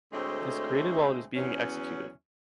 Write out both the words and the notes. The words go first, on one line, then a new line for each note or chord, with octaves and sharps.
It is created while it is being executed.
D2 A2 G#3 A3 C4
E2 F#3 C#4